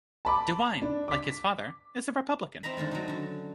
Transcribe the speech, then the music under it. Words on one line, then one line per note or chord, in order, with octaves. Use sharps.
DeWine, like his father, is a Republican.
A5 B5 D6
D4
D6 B6
C4 E4 D#5 A#5 B5
D3 D#3 G#3 A3
F#3 A3 D#4
D3 C#4